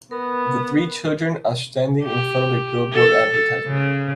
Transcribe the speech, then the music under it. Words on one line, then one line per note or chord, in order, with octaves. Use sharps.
Three children are standing in front of a billboard advertisement.
B3 A#4
G4
A4
C#3